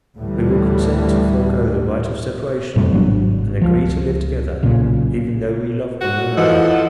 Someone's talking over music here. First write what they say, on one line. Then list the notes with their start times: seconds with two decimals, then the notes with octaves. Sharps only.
We will consent to forego the right of separation, and agree to live together, even though we love one another.
0.17 D2 A2 E3 G3
2.76 F2 A2 C3 G3
2.93 G#1 F#3 B3 D4
3.62 C#2 F3
4.63 B1 A#2 C#3
6.01 F#4
6.37 E3 F3 A4 D#5 F#5